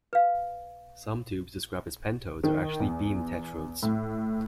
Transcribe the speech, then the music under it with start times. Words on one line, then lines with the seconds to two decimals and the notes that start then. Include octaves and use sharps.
Some tubes described as pentodes are actually beam tetrodes.
0.13 B4 F5
2.43 D#3
2.80 E2
3.83 A2